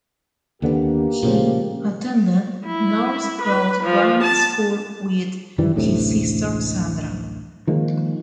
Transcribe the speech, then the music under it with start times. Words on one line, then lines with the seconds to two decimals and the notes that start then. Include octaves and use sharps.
He attended Norcross Grammar School with his sister, Sandra.
0.62 D#2 D3 A#3 B3 G4
1.23 A#2 C#3 F3
2.66 E4
3.42 B4
3.84 F3
4.23 A5
5.58 F#2 D#3 E3 G3
5.75 A1 D2 A2 C3
7.67 D#3 F3 G#3 A#3